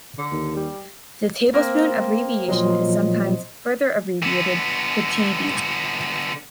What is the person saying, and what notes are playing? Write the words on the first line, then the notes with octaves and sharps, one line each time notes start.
The tablespoon abbreviation is sometimes further abbreviated to Tb.
D3
D#2
G3
A#3 C4
A#2 F3 F#3 D#5 C6
D3 B3